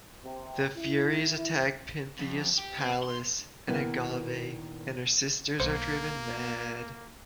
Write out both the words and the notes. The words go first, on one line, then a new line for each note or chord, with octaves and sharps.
The Furies attack Pentheus' palace and Agave and her sisters are driven mad.
C3
E4
F2
G4
C4
C6
A#2 D#3 B3 E4
B1 A#3 C5 C#7